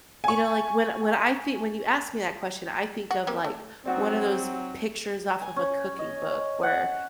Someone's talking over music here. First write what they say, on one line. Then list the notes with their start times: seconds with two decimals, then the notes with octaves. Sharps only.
you know, like when when I thi when you ask me that question, I think of, like, one of those pictures off of a cooking book where,
0.24 G#5 C#6
3.11 F#4
3.27 A#3 C4 G4
3.44 A3
3.85 F#3 C4 D#4 F#4 D5
5.42 G#5
5.56 C#4
5.99 D#5
6.63 F#5